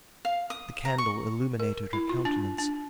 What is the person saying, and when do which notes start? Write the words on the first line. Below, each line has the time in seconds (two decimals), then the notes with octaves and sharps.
The candle illuminated her countenance.
0.25 F5
0.50 D#6
0.85 A#5
0.98 C#6
1.60 A#4
1.93 E4
2.09 F4
2.25 D4
2.59 D4